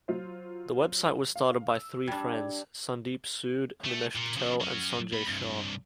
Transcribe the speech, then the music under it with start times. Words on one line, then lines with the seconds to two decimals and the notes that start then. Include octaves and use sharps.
The website was started by three friends, Sandeep Sood, Nimesh Patel and Sanjay Shah.
0.08 F#3 F4 C5
1.36 F5
1.69 E6
2.08 G3 D4 G#6
3.84 A3
4.16 A#2
4.37 C#3 F3
4.61 F#3 C#4
5.12 A#2 B5
5.26 C2 G2